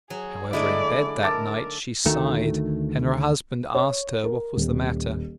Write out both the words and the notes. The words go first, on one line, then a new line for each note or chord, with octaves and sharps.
However, in bed that night she sighed, and her husband asked her what was the matter.
F#3 G#4
D3 G#3 A3 D#4 E4 D5
A#4 A5 D6 E6
D2 D#3 A3
C#5
A#4
D#1